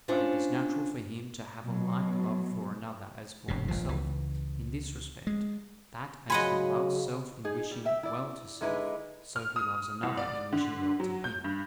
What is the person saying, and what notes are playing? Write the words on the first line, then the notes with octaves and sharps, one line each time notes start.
But it is natural for him to have a like love for another as for himself, in this respect, that as he loves self in wishing well to self, so he loves another in wishing well to him.
C#4 D4 F4 C5 C#5
B2 F#3
E1 G2 C3
G1 A#2 F3
C#2 E3
G#3
C#3 F#3 D#5 F#5 G#5 B5 C6
D#4 G#4
G3
E5 G5
E4 D5
D3 G#3 D#4 E4 B4
F6
D#6
C2
D5
D3
F#3
G6
G2